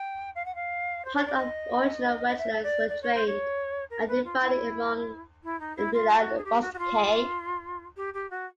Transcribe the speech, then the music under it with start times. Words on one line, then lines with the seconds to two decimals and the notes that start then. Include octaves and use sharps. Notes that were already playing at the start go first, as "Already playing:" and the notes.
Part of the original wetlands were drained and divided among "villae rusticae".
Already playing: G5
0.35 F5
0.45 F#5
0.55 F5
1.05 C5
1.15 C#5
1.26 D5
1.37 D#5
2.29 D#5
2.38 E5
2.63 D5
2.89 D5
3.02 C#5
3.14 C5
3.27 C#5
3.90 A#4
4.08 B4
4.25 F4
4.41 E4
5.44 E4
5.60 D#4
5.77 E4
5.93 F4
6.19 F#4
6.37 G#4
6.45 G4
6.61 F#4
6.74 F#4
6.78 F4
7.97 G4
8.14 G4
8.30 F#4